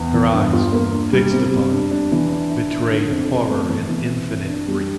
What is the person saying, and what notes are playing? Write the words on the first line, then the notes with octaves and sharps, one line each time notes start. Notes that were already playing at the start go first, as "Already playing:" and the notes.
Her eyes, fixed upon him, betrayed horror and infinite grief.
Already playing: E2
E3
G2
F4
A#3
D4
G3
C3
G3
D4
D4
E3
D4
E4
E4
D3
F2
D4
A3
E3
E3
C4
E4
D4
G3